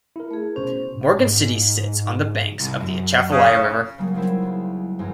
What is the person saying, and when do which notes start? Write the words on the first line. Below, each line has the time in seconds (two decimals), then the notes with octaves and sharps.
Morgan City sits on the banks of the Atchafalaya River.
0.16 E4 A#4
0.31 A3 G#4
0.56 B2 C#4 C5
0.95 A2
1.19 G#2
2.60 C2
2.81 F#2
3.31 C#3
3.98 C#3 F#3 G3 A#3 D#4
4.14 F#3 G3 C4 E4 G#4
4.42 C#2
4.99 G#1 F#2 E3 D#4